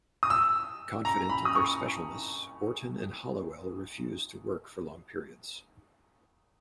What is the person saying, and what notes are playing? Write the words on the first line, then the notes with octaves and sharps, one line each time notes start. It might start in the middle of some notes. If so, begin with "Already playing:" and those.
Confident of their "specialness", Orton and Halliwell refused to work for long periods.
D#6
E6
A#5
B5
D#6
C#6